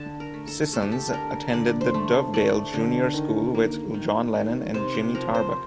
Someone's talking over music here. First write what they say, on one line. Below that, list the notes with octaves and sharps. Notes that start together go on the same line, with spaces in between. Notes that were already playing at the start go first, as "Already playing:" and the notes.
Sissons attended the Dovedale Junior School with John Lennon and Jimmy Tarbuck.
Already playing: D3 A5
A#4
A3
A4
A3 A4
G4
A4
D3 A#4
D3 D5
C5
A3
A3 D5
D3
D#3
A#3
D#3
D#3
C3 C5
C5
F3 A#4
C5